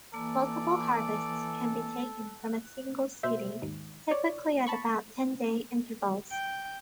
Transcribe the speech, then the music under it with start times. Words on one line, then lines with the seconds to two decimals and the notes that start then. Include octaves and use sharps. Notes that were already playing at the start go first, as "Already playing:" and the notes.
Multiple harvests can be taken from a single seeding, typically at about ten-day intervals.
0.14 E3 A#3 A4 D5
3.23 B2 C5 E5
3.62 D#2 G#2
4.11 C#5 D5
4.67 A5 B5 C#6
6.31 G5